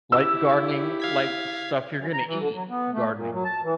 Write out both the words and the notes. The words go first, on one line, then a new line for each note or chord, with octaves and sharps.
Like gardening like stuff you're gonna eat gardening.
E4 G4 E6
F5 G#6 B6
F#2
A#5
E3
D3
F#3
B3
A3
A#2
F#3
A5
E3